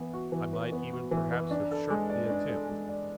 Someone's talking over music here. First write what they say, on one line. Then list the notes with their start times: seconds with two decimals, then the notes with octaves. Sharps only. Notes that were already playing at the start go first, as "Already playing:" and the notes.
I might even perhaps have shirked the attempt.
Already playing: E3 B3
0.13 F#4
0.32 E3
0.53 B4
0.72 B3
0.92 F#4
1.11 E3
1.32 B4
1.51 D4
1.71 A4
1.90 G#3
2.10 D5
2.30 D4
2.49 A4
2.69 G#3
2.89 D5